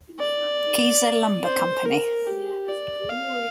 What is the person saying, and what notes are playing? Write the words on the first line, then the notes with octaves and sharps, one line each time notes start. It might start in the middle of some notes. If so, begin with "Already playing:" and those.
Kiser Lumber Company.
D5
C5
A#4
G4
D5
F5